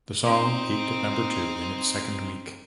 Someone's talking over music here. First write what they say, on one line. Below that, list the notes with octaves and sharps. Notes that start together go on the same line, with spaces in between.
The song peaked at number two in its second week.
C4 D#4